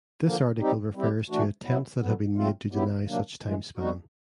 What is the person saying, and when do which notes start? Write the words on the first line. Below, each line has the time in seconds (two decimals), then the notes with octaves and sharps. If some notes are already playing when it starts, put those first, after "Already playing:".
This article refers to attempts that have been made to deny such timespan.
0.24 D3 F3 A#3
0.60 G3 C4 D#4 G4
0.95 G3 C4 E4 G4
1.30 E3 A3 D4 F#4
1.65 B2 F#3 B3 E4
2.01 D3 F#3 B3
2.36 F#3 A3 C4 F4
2.71 F#3 B3 E4 G4
3.07 C3 D#3 F#3 A#3 D4
3.42 A2 E3 G#3
3.77 G3 B3 D#4 F#4